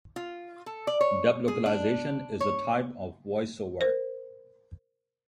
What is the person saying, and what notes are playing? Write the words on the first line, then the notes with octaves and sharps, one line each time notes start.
Dub localization is a type of voice-over.
F4
A4
D5
C#5
G#4
D4
C#5
A#4 C5